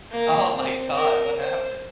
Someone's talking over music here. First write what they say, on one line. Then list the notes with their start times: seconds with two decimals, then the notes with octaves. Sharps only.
Oh my God, what happened?
0.11 A#3
0.53 C4
0.96 A#4
1.38 C5